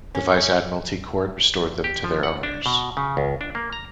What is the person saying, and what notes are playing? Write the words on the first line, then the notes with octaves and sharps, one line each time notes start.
The Vice Admiralty Court restored them to their owners.
C#4
G4
F3
F#5
D4
B2
C#3
C#2
D4
A#3
A#5